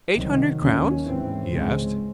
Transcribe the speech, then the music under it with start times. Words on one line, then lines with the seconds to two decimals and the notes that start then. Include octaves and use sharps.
"Eight hundred crowns?" he asked.
0.16 C2 C3 D#3 F#3
0.60 D#2 D#3 F#3 C#4
1.05 G#2 E3 C4
1.51 C#2 C#3 G#3 C4